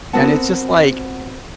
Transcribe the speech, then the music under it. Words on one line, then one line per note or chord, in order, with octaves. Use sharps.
and it's just like
B3 C4 F#4 A#4 F#5 A5